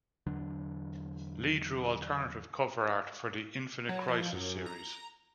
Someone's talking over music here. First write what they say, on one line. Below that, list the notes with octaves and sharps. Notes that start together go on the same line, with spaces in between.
Lee drew alternative cover art for the "Infinite Crisis" series.
E2 D3 F#3 D4
F#3
F3
F#2
A#5